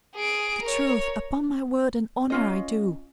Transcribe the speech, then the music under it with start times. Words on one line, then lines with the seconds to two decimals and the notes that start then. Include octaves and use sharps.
'The truth, upon my word and honour I do.
0.15 G#4 D7
0.62 A#4 C#5
2.30 C#4 F4 D#5